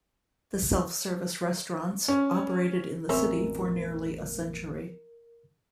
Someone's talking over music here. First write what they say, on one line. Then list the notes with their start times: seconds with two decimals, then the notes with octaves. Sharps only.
The self-service restaurants operated in the city for nearly a century.
2.08 C#4
3.09 E1 A1 B2 C4 C#4 A#4 E5